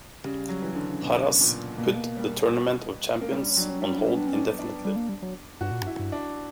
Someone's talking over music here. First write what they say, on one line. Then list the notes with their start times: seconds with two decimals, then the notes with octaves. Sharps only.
Harrah's put the Tournament of Champions on hold indefinitely.
0.25 C#3 G3
0.49 F#3
0.62 E3
0.75 D3
0.88 C#3
1.02 B2
1.41 A#2
1.78 B2 A#3
1.86 G3
1.94 A#3
2.17 G3
3.21 A#3
3.31 G3 C#4
3.41 D4
3.50 C#4
3.57 F#3 D4
3.69 C#4
3.80 G3 D4
3.89 C#4
3.98 D4
4.07 B3 C#4
4.17 D4
4.27 C#4
4.33 D4
4.59 D4
4.85 G3
4.96 A#3
5.09 G3
5.22 F#3
5.61 G2 F#4
5.71 A#2
5.82 G2
5.87 E4
5.99 G2
6.12 D4